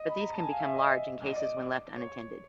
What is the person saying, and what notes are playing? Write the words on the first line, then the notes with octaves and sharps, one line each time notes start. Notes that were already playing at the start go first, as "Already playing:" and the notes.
But these can become large in cases when left unattended.
Already playing: D#5
B5
A#5
A5
G#5
F5
E5
D#5
D#5
D5
C#5